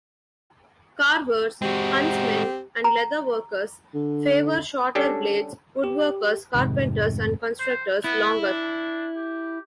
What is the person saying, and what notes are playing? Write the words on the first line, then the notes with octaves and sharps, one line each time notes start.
Carvers, huntsmen and leatherworkers favour shorter blades; woodworkers, carpenters and constructors longer.
G#3 C4 F#4 G4
A#5
D3
G3 C#4 D4 G4 A4
G4
F1 G#2 C3 D#3
C5
B3 E4
D4
G4